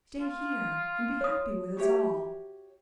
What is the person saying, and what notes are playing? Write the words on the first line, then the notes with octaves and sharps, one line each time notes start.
Stay here and be happy with us all.
F4
C#5 D#6
F#4 G4 C#5 E5